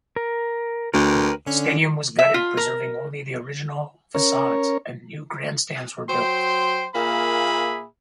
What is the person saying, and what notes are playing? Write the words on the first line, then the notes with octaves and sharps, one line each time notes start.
The stadium was gutted, preserving only the original facades, and new grandstands were built.
A#4
D2 A#4 B4 G5
D3 C#4
E5
F4
A#4
C#4 A#4 C#5
F#3 C5 G5 C6
A#2 A#3 G#4 E5 B5